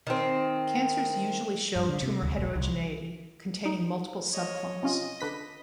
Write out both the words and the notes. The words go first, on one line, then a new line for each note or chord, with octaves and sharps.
Cancers usually show tumour heterogeneity, containing multiple subclones.
D#3 C4
G2
D3
C3
D2
A#1
C2
D#4
C#5 D#5
C3 C#4 F4 D#5
D3 B4 B6